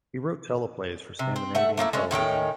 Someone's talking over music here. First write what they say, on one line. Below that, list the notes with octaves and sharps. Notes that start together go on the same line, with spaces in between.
He wrote teleplays for Scandinavian television.
C3
C4
A3 E5 F#5
A3 A#3 C4 E4
G#3 A3 C#4
A2 D#3 C#4 G5